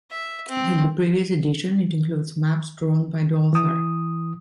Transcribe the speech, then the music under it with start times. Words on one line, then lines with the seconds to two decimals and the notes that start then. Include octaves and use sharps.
Like the previous edition, it includes maps drawn by the author.
0.11 E5
0.48 C4
3.53 E3 D#6